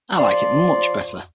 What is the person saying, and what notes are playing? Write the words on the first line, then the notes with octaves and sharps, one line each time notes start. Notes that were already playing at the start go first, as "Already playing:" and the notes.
I like it much better.
F3 D5 C6